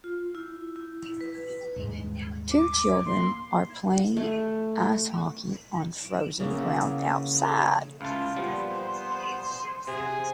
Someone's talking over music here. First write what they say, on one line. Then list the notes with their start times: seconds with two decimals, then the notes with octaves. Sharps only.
Two children are playing ice hockey on frozen ground outside.
0.04 F4
0.35 E4
0.76 E4
1.21 B4
1.76 D#1 G#2 G#3
2.51 D6
3.06 A#3 C6
4.17 A3
6.40 C#3 A#3 B3 E4
8.01 C#2 E4 F4 A5
8.36 A#2 F3 G3 B3 C5
9.87 C3 G#4